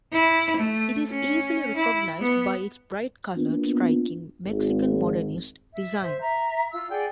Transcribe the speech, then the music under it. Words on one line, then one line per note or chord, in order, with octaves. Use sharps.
It is easily recognized by its bright-colored, striking "Mexican Modernist" design.
E4
A3
C#4
E4
B3
A#3 B3 D4 F4
G#1
E5
C5 E5
E5 A#5
F4 E6
G#4 D5 F#5 G5